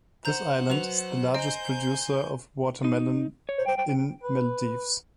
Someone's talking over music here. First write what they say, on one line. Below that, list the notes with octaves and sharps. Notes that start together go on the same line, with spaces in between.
This island is the largest producer of watermelon in Maldives.
C5 F#5 A#5 G6
F#3 B4 F7
C5 D#5 G#5 A#5 G6 D7
D#4
C#5
B4